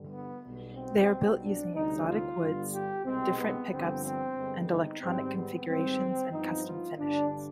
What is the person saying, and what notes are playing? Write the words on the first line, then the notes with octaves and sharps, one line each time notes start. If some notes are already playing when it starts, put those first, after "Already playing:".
They are built using 'exotic' woods, different pickups and electronic configurations and custom finishes.
Already playing: G2 D3 G3
B3
B1 B2 G3 B3
C4
B1 B2 G3
D4
D2 C3 G3 D#4
F4
G2 D3 G3 B3
G4
C2 B2 G#3 C4
B3
G1 G2 D3 F3 B3 C4
C4
G2 D3 G#3 B3
D#4
G#1 G#2 G3 B3 C4
B3
G#1 G#2 D#3 G3 C4
G2 F3 B3 D#4
F4
G1 G2 D3 D4